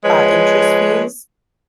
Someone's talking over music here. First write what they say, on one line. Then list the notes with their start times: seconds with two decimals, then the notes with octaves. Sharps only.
uh, interest fees,
0.05 F3 G#3 B4 C#5